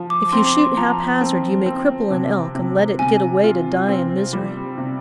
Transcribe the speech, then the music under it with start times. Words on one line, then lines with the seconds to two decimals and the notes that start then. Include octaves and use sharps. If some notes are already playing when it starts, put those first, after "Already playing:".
If you shoot haphazard you may cripple an elk and let it get away to die in misery.
Already playing: F3
0.10 D6
0.32 C4 C6
0.45 D6
0.58 C6
0.77 F3 A#5
1.21 C4
1.66 C4
2.10 C3
2.55 C3
2.99 C3 G#5
3.44 F4
3.88 C4
4.33 G3
4.78 C3